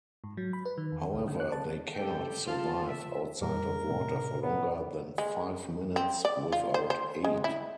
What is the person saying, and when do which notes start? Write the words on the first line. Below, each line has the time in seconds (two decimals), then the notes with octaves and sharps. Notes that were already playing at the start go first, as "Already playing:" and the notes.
However they cannot survive outside of water for longer than five minutes without aid.
0.24 G#2
0.37 F#3
0.53 B5
0.65 B4
0.78 D#3
0.92 E2
1.13 C#2
1.28 D3
1.40 F#6
1.52 A5
1.94 G4 A4 G5
2.47 F3 F4 A5
2.87 E5
3.41 F2 A#2 G3 A#4
3.88 A2 C3
4.42 B3
5.18 G#3
5.96 C4
6.25 D5
6.52 F4
6.74 C5
6.90 C5
7.24 G#3
7.44 E4